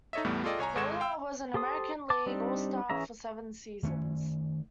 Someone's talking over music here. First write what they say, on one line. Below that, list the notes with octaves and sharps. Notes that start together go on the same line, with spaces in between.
Lollar was an American League All-Star for seven seasons.
D#4 A4 C#5 D#5 E5
E2 A2 G3 A3 B3
F4 G#4 A4 D5 D#5 G5
C2 C#5 G#5 A#5
G#1 G#3 A4 C#6 G#6 E7
F5 G5 E6
G4 A4 C5 D#6
A5 D6
G3 C4 D4 D#4 G4
E3 C#4 G#4 E5 A#5
D#3 A3 C4 C#4